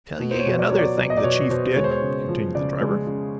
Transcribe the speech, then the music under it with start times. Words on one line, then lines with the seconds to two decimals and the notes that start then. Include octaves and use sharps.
"Tell ye another thing the chief did," continued the driver.
0.20 B2
0.31 C5
0.39 C#5
0.46 B2
0.59 D5
0.70 F#3 C#5
0.78 D5
0.98 F#3 D5
1.10 D#5
1.17 D5
1.24 B2 C#5
1.50 B2 C5
1.76 G#3 C#5
1.84 C5
1.91 C#5
2.02 C#3
2.28 F3
2.55 C#3 D5
2.81 G#3
3.07 C#3